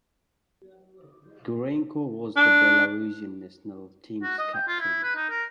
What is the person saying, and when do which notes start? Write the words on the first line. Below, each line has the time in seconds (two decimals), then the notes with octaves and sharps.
Gurenko was the Belarusian national team's captain.
2.37 D4
4.23 F#4
4.38 D#5
4.54 G5
4.67 F4
4.80 E4
5.03 B4
5.16 D#4
5.30 A#4